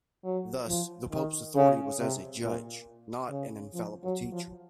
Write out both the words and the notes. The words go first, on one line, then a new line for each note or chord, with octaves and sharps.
Thus, the pope's authority was as a judge, not an infallible teacher.
F#3
F3
D#3
C#3
C3
A#2
C#3
F3
F#3
F3